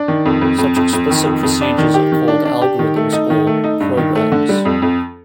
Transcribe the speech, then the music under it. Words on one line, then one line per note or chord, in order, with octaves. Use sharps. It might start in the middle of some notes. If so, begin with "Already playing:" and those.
Such explicit procedures are called algorithms or "programs".
Already playing: D4
D#3
F2
F2
F2
F2
F2
D#3
F2
F2
D4
D#3
G4
D#3
D4
D4
G4
D#3
A3
D#4
D#3
A3
D#4
G2
D#3
A3
D3
G3
F2
F2